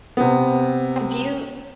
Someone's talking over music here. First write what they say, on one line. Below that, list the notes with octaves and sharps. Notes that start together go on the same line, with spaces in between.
Have you
C3 B3